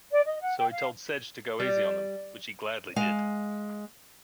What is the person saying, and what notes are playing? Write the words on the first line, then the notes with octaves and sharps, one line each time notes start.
So he told Sedg to go easy on them, which he gladly did.
D5
D#5
F#5
G5
F5
G3
G#3 F5